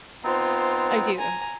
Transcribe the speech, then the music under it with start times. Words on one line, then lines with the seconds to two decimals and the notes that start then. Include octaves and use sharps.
I do.
0.24 B3 C4 D#4 F4 C5
1.18 G#5 A#5